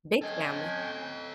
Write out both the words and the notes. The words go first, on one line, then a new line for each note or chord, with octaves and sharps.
Big family.
C#4 A4 D#5 G5 G#5